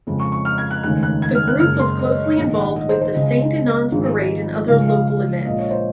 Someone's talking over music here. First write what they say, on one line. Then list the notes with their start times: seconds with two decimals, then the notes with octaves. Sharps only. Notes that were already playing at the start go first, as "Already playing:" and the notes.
The group was closely involved with the Saint Inan's parade and other local events.
0.07 F2 C#3 G#3
0.20 C#6
0.32 C#6
0.45 F6
0.58 G#6
0.71 F#6
0.83 F1 D#2 C#3 G#3 F#6
1.03 F#6
1.22 G#6
1.35 F6
1.48 F#6
1.60 F#1 F#2 C#3 G#3 F6
1.80 C6
1.99 D#5
2.12 C#5
2.24 C#5
2.37 A#1 G#2 D#3 G#3 D#5
2.57 F#5
2.76 D#5
2.89 C5
3.01 C5
3.14 C#2 C#3 G#3 D#5
3.91 G#1 G#2 F3 G#3
4.68 C#2 C#3 F3 G#3 F5
4.88 F5
5.07 F5
5.45 A#1 A#2 F3 G#3 D#5
5.58 C#5
5.71 C5